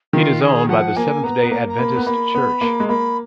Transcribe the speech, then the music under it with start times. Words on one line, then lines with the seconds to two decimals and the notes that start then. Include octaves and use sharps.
It is owned by the Seventh-day Adventist Church.
0.13 D#3 F4
0.41 G#4
0.69 F3 F#5
0.96 A#3 G#5
1.23 B3 A#5
1.43 B3
1.51 A#3 A#5
1.69 A#5
1.79 A#3 B5
1.96 B3
2.06 A#3 B5
2.35 B3
2.61 A#3
2.80 G#3
2.88 A#3 B5